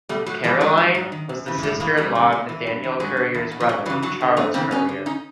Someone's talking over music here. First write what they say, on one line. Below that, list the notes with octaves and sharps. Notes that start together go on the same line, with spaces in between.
Caroline was the sister-in-law of Nathaniel Currier's brother, Charles Currier.
B2 G3 A3
A2 F#3
E3 F3 G3
G2 F#3 G#3
E3
G#2
D#3
F#2
C#3 E3
G#3
A2 G3 A3
E3 G#3 A#3
E2 G3 A3
C#3 E3
A2
E3
G2
E3
G2 F#3 G#3
D3
E2
B2
F3
F#2 F#3
C#3 E3 F#3
G2 F#3
D3
F#2 A3 B3
C#3 E3 A#3 C4
F#2 B3 C#4
D3
C#4 D#4